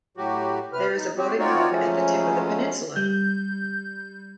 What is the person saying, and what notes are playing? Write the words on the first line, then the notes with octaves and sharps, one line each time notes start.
There is a boating club at the tip of the peninsula.
A2 F#3 F#4 G4
C3 B4 F6
D#4
C4 F#4 G4
C4 D#4 F4 F#4 C#5 D5
C#3 F3 F#3 G#3 A3 C#4
G3 G6